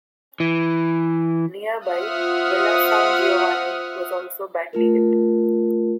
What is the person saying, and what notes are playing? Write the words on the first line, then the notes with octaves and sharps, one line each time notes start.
Nearby Villa San Giovanni was also badly hit.
E3
F4 C5 E5 F#5 D#6 F6
A3 F4 A#4